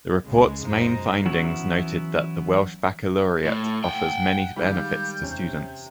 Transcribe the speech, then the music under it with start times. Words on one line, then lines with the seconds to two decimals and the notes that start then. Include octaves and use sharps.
The Report's main findings noted that the Welsh Baccalaureate 'offers many benefits to students.
0.24 C#2 C#3 G#3
0.64 F#2 B2 G#3 D#4 C5 A#5
1.25 E3 F#3 B3 C#4 E4 F#4
3.45 A2
3.84 F#5 G5
4.57 D#3 G3 G#3 F5 B5 G6
5.22 E2 C3 C#4